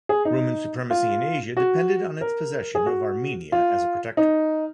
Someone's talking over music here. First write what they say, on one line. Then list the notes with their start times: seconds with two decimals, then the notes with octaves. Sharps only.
Roman supremacy in Asia depended on its possession of Armenia as a protectorate.
0.09 G#4
0.25 D#4
0.90 F4
1.57 F#4
2.21 A#4
2.75 G#4
2.86 F#4
3.52 F4
4.17 D#4